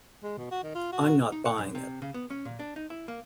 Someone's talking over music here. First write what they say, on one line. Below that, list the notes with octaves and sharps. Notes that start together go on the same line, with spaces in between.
I'm not buying it.
G#3
B2
F#4
D#3
F4
F#4
D#4
F#5
F#2
C3
C#3
B3
C#4
A#2
D4
D#4
E4
A#3